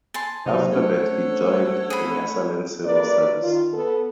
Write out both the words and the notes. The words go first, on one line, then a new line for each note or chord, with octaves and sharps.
After that, he joined the Nyasaland civil service.
G#5 A5 C6
C3 E3 F#3 D#4 C5
A3 C#4 D4 A4 C#5 F#5
G#4 B5
F#2 A#3 B4 D5
D#3 F4
B3 A4